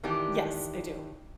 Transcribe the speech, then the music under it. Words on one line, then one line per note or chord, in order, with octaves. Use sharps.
Yes, I do.
D#3 E3 D4 G4